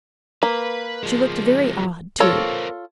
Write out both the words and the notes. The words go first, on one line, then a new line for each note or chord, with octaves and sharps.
She looked very odd, too.
A#3 B4
F3 G#3
A#3 C4 F4 A4 C#5